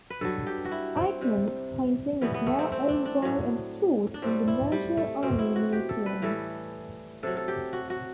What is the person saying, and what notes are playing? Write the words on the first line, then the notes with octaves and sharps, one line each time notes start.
Aikman's painting is now owned by and stored in the National Army Museum.
B4
G2 F#3 A4
G4
F#4
E4
C4
C3 G3
A2 E3 G3 B3
B3
A3
C4
C4
D4
D4
A2 F#3
D4
A2 G3 C4
E4
G3
A3
B2 F#3 C4
E4
F#4
G4
A4
B4
A2 E3 G3 A4
C3 F#3 A4
A4
G4
F#4
F#4